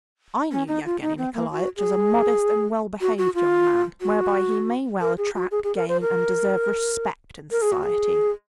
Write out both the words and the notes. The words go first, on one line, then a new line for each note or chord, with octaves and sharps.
I knew Yevgeny Nikolaitch as a modest and well-behaved young man, whereby he may well attract, gain and deserve respect in society.
C#4
D#4
F4
D#4
C4
A#3
F#4
G#4
F#4
F#4
F4
F#4
A#4
G#4
F#4
G#4
G#4
A#4
C5
A#4
A#4
G#4
F#4
G#4